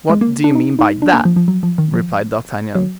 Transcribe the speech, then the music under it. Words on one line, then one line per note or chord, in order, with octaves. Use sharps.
"What do you mean by that?" replied D'Artagnan.
G#3
A#3
D4
D#4
D#4
D4
A#3
F3
F3
F#3
F3
D#3
F3
F#3